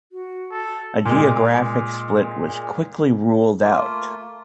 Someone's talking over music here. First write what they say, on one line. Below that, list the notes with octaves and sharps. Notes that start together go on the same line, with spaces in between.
A geographic split was quickly ruled out.
F#4
A4
A#2 G#3
A3 A#3 F4